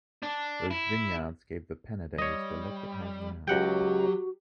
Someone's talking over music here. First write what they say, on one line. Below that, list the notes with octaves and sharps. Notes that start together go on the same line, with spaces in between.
Those vineyards gave the Penedès the look it has now.
D4
E4
G3 C#5 D#5
C#2 F#3 F#4 G4 F#5 G5